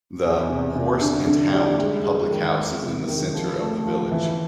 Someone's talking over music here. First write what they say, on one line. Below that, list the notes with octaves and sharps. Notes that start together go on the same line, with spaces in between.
The "Horse and Hound" public house is in the centre of the village.
E2
C3
C3
D3
D3
G3
G#3
G#3
D#3
G#3
C3
D#3
F3
A3
F3
E3